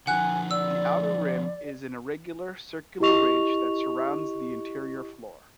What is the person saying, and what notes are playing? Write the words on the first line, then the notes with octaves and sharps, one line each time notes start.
The outer rim is an irregular circular ridge that surrounds the interior floor.
D3 F3 F#5 G#5 F#6
D5 E6
E4 G4 D#5 C#6 F7